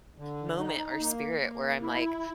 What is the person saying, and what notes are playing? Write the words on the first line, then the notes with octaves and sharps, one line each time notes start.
moment, or spirit, where I'm like,
D3
D#4
A#3
A#3
E4